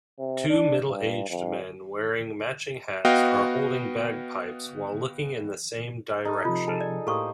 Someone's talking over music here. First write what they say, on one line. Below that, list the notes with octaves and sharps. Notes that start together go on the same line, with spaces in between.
Two middleaged men wearing matching hats are holding bagpipes while looking in the same direction.
C3
D4
G2
F2
B3 F#4 D#5 F5 G5
G#2 D#4 A4
C3 F3 F4
G#4 A4
D5
A2 A#3 G4 A4 C5 C#6 D#6